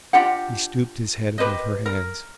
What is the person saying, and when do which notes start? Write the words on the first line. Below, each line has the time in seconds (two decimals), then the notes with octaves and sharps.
He stooped his head above her hands.
0.13 D4 F4 G4 F#5
1.38 G4 B4 C5 D#5
1.86 A#4